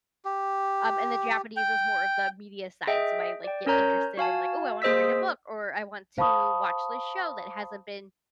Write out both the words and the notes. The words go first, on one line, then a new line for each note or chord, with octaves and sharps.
Um, and the Japanese is more of the media side. So I, like, get interested in, like, "Ooh, I wanna read a book," or "I want to watch this show that hasn't been,
G4
G5
G#4 D#5 E5 G5
D5 G5
C#4 A#4 C#5 A#5 G6
F#4 F5 G#5 A5
A#3 G#4 C5 D#5 E6 B6
C5 F5 A5 B5 C#6 D#6